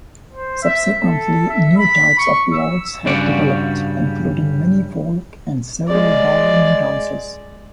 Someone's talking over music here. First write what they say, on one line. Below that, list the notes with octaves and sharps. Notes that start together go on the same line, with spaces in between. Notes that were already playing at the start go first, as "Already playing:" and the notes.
Subsequently, new types of waltz have developed, including many folk and several ballroom dances.
C5
E5
A4
E5
B5
C#6
E6
G2 C#3 G3 F#4 D5
G#3 D5